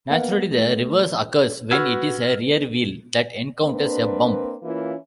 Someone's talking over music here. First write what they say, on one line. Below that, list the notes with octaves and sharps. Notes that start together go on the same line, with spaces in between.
Naturally the reverse occurs when it is a rear wheel that encounters a bump.
A#3 B3 F5 F#5
A3
F#4 B4 E6 F6 G#6
A#3 C4 D4 B4
E3 A#3 C#4 E4 F4